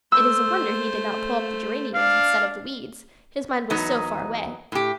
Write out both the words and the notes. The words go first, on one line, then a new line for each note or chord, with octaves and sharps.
It is a wonder he did not pull up geraniums instead of weeds, his mind was so far away.
A3 C5 E6
D4 F5
E2 F#3 B3 D#4
A2 G4